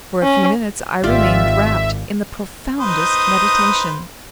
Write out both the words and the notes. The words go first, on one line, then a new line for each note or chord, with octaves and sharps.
For a few minutes I remained wrapped in the profoundest meditation.
C#4
G#1 F4 G4 D5 E5
D#4 B4 C5 D#6